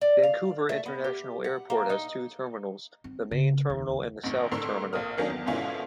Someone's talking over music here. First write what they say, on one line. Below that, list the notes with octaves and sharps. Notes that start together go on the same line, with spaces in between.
Vancouver International Airport has two terminals: the Main Terminal and the South Terminal.
D5
F5
A3
B3
G4
F#5
A#3
D#4
C4
C#3
D#2
A1 A2
A2 D3 A#4 C6 E6
A#1 A#3 D#6 F6
D#3 F#3 A#3 C#4 D4
E2
G#2 B2 D3 C#4 E4 F4